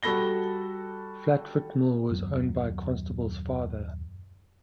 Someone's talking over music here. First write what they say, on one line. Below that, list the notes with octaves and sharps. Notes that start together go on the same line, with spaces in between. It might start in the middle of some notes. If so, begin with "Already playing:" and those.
Flatford Mill was owned by Constable's father.
G3 F#4 A4 B5 A#6 G7
D#1 F#2 F#3 B3